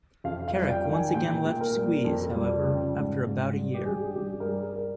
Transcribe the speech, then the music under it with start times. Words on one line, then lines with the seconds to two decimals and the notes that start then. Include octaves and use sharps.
Carrack once again left Squeeze, however, after about a year.
0.24 F2 F5
0.48 F5
0.55 G3
0.70 G5
0.85 D#3
0.93 G#5
1.14 A#2 G5
1.45 A#2
1.61 A#4
1.76 G3
2.05 F2
2.35 G3
2.65 C#3
2.95 G#2
3.25 G#2
3.55 G3
3.74 G4
3.85 G2 G#4
4.16 G2 G4
4.40 A#4
4.45 G3 G#4
4.76 A#4